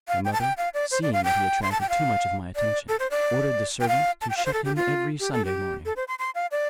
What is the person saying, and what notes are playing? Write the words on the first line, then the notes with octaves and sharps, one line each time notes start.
My mother, seeing that he attracted too much of my attention, ordered the servant to shut him every Sunday morning.
F5
G5
A5
G5
F5
D5
C5
D5
F5
G5
C6
A5
G5
F5
D5
A4
C5
D5
G5
F5
A5
G5
F5
C5
A4
G4
F4
G4
A4
G4
A4
C5
C6
C6
F5
D5